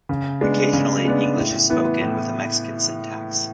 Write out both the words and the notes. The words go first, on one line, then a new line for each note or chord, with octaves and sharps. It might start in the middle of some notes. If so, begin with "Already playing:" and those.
Occasionally, English is spoken with a Mexican syntax.
C#3
G#3 B3 D4
C#3
G#3 B3 D4
A2
E3 B3
A2